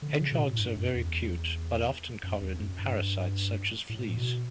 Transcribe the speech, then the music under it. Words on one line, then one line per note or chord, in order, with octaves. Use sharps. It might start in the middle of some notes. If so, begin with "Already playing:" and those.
Hedgehogs are very cute but often covered in parasites such as fleas.
D3
C#3
B2
A2
G2
F#2
E2
F#2
E2
F#2
G2
A2
B2